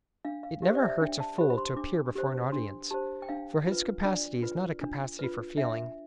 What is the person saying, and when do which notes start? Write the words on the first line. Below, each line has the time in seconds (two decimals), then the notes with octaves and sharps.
It never hurts a fool to appear before an audience, for his capacity is not a capacity for feeling.
0.25 D4 F5
0.43 F5
0.62 G4 C5 F5
0.75 D5
0.82 E5
1.01 D4 G5
1.20 A5
1.38 G4 C5 B5
1.50 B5
1.58 C6
1.76 D4 D6
2.15 G4 C5
2.52 D4 C6
2.91 G4 C5 A5
3.22 G5
3.29 D4 F5
3.67 F4 B4
4.04 D4 D5
4.43 F4 B4
4.81 D4
5.19 F4 B4
5.57 D4 E5